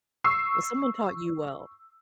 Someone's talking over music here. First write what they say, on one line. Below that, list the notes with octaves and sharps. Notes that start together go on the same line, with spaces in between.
Well, someone taught you well.
C#6 E6 C7